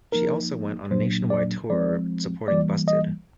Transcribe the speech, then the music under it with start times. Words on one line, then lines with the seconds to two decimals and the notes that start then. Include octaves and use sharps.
She also went on a nationwide tour supporting Busted.
0.12 F3 A#3 D#4 A#4
0.91 A#2 F#3 A#3 D4 C5
1.30 D5
1.70 F3 G#3 C4 D5
2.48 E3 G3 A#3 D5
2.88 D#5